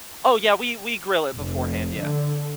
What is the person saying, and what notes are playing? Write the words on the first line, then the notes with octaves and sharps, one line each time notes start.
Oh, yeah, we we grill it beforehand, yeah.
F1
D3